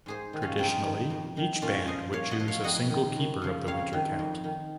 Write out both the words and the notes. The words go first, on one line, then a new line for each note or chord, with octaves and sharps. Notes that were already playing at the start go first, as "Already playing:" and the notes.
Traditionally each band would choose a single keeper of the winter count.
G#2 G#4 C5
D#3
C#4 F4
F2 C4 D#4
D#3
F2
D#3
A#2 C#4 F4
F3 C5 D#5
A#2 C#5 F5
D#5 F#5
F3
C#5 F5
F2 D#5 F#5
D#3
F#2
C#3 F3
F2 C#5 F5
D#3
F2
D#3